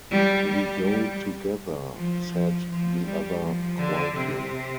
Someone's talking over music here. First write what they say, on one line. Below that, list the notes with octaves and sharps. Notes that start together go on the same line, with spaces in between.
"We go together," said the other quietly.
G3
G3
G3
F3
F3
F3
G3
F3
D3
C3